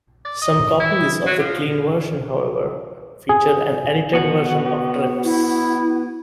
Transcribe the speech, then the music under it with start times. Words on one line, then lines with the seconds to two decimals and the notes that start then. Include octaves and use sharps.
Some copies of the clean version, however, feature an edited version of Drips.
0.25 D5
0.42 D#5
0.80 E4
1.27 F#3
1.39 F3
3.29 G#4
4.13 B3 F#4
5.25 E4